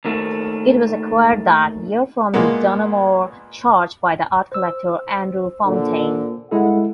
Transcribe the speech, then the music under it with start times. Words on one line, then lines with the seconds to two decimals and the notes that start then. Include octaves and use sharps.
It was acquired that year from Donoughmore Church by the art collector Andrew Fountaine.
0.05 D#2 D#3 A3
2.34 A#2 G#3 A#3 B3
4.52 C5 E6
5.64 A#2 D3
6.51 G2 G#3 E4 A4 F#5